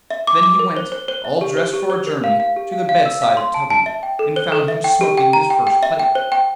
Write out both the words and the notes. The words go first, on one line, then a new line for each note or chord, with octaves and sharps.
Then he went, all dressed for a journey, to the bedside of Tubby, and found him smoking his first pipe.
E5
D6
D6
A#4
C5
C5
C5
E5
G4
C5
G4
C5
A#4
F5
F5
G4
F5
F5
E6
F5
C6
A5
A5
E5
G5
A4
C5
A4
E5
G5
G4
G5
A#5
G5
G5
E5
G5
C5
G5